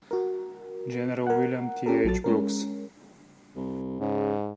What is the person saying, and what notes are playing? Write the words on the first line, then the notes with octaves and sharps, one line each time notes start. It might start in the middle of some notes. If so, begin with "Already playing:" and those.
General William T. H. Brooks.
F#4 A#4
A#4 F#5
C#4 G4 A4 A#4
A#1 F#3 A4 A6
G#3 C#4 A#4
C2
G#2 C#3